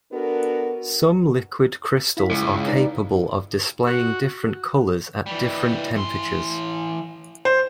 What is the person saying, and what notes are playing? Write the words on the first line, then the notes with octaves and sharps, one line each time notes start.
Some liquid crystals are capable of displaying different colors at different temperatures.
B3 D4 F#4 A4 A#4
E4 F5 B6
C#2
D#4 B4 D5
F#4
E3 G3
E3 C6
C5